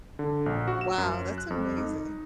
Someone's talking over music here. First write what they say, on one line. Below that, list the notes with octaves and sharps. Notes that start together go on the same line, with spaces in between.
wow, that's amazing!
D3
A#1
F#4
E7
F#2
F#6
F2
D#4